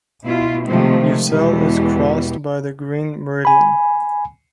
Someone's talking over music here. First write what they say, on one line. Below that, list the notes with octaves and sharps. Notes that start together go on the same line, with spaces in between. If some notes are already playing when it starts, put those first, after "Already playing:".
Ussel is crossed by the Green Meridian.
B2 E4 F4
C3 D#3 F3 G#3 A3 C4
E2 B2 E3 G#3 B3 G4
G#5 B5